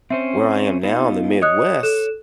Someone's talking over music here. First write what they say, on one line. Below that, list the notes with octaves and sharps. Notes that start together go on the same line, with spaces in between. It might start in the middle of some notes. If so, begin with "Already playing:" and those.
where I am now in the Midwest,
C4 C#4 C5 E5
B3 D#4 F4
C#5 D#5 D#6 F#6
A4 F#6 E7